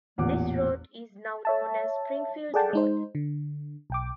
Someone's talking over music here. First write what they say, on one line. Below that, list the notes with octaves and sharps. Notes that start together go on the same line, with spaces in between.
This road is now known as Springfield Road.
A1 E2 A#2 D6
C#5 E5 A5
G#4 A4 D5 F#5 G5 A5
G#3 D#4 C5
D3
B1 G5 D6